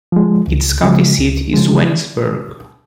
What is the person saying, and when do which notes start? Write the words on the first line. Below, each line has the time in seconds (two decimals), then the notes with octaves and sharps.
Its county seat is Waynesburg.
0.12 F3 G#3
0.48 C#2
0.83 C#3 F3 G#3
1.18 C#2
1.54 C#3 F3 G#3